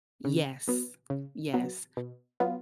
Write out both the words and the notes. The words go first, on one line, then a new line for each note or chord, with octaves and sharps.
Yes, yes.
C#3
F#3 B3
C#3
F#3 B3
B2
F#3 B3 F4